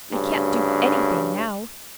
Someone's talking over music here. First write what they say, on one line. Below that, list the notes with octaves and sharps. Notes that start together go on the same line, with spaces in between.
"I can't do--anything, now."
D2 G2 C#3